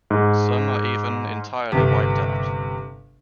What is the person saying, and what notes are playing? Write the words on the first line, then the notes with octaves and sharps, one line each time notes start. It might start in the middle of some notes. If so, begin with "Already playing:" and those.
Some are even entirely wiped out.
G#2
G1 C3 G4